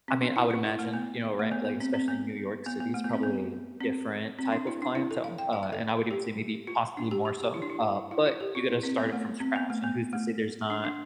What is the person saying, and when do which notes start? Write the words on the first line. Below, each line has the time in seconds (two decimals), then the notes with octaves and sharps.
I mean, I would imagine, you know, right? Like, especially in New York City, it's probably a different type of clientele, uh, and I would even say maybe possibly more so, uh, but you gotta start it from scratch, and who's to say there's not
0.08 C4
0.21 D4
0.36 E4
0.51 F4
0.65 E4
0.79 A3
0.94 B3
1.39 A3
1.52 B3
1.65 B3
1.80 C4
1.94 C4
2.08 B3
2.66 B3
2.80 B3
2.94 A3
3.04 B3
3.13 C4
3.23 B3
3.81 C4
4.39 C4
4.52 D4
4.67 E4
4.82 D4
4.95 E4
5.11 A4
5.24 F5
5.38 G5
5.53 F5
5.63 E5
5.73 A4
6.11 G4
6.67 F4
6.97 D4
7.11 G4
7.25 G4
7.40 G4
7.54 E4
7.62 D4
7.70 E4
8.11 E4
8.26 F4
8.40 G4
8.55 F4
8.69 E4
8.83 C4
8.98 B3
9.12 A3
9.40 C4
9.56 B3
9.70 A3
9.84 B3
10.13 A3
10.70 D4
10.85 D4